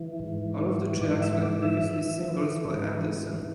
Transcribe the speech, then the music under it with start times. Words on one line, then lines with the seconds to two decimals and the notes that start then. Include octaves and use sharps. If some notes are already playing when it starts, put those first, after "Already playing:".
All of the tracks were previously singles for Anderson.
Already playing: E3
0.19 G#2
0.60 E3
1.01 G#2 D5
1.22 E5
1.42 E3 D5
1.62 E5
1.83 E3
2.24 E3
2.64 G#2
3.05 E3